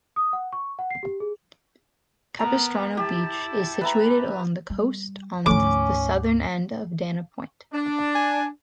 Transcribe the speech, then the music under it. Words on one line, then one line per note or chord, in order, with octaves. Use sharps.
Capistrano Beach is situated along the coast on the southern end of Dana Point.
D#6
F#5
C#6
F#5
C7
G4
G#4
B3 A#4 A#5
E4 G4 A5
B4 E5 A#5
G3
D2 G#2 D3 F3 A3 C#4 D6
D4
G#5